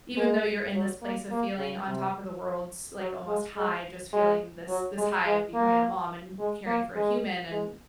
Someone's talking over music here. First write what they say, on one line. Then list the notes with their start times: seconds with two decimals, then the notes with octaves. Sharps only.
even though you're in this place of feeling on top of the world, s like almost high, just feeling this this high of becoming a mom and caring for a human, and
0.16 G#3
0.74 F#3
1.01 A#3
1.31 A#3
1.58 C#3
1.86 C3
3.00 F#3
3.27 G#3
3.56 G#3
4.13 G#3
4.69 F#3
4.98 G#3
5.26 G#3
5.54 A#3
6.39 G#3
6.66 A#3
6.95 G#3
7.51 G#3